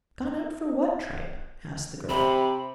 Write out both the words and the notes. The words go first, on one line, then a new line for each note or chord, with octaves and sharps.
"Gone out for what tripe?" asked the girl.
C3 B5